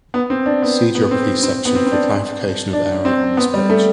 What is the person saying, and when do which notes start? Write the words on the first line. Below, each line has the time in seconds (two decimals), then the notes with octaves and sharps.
See Geography section for clarification of error on this page.
0.14 B3
0.30 C4
0.46 D4
0.62 B3
0.95 B3
1.11 C4
1.43 C4
1.65 B3
1.75 C4
1.86 C4
1.92 D4
2.73 D4
3.05 C4
3.37 B3
3.54 G3
3.69 A3